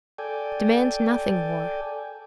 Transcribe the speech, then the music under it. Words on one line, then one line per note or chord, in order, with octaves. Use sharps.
Demand nothing more.
A4 D5 G5 G#5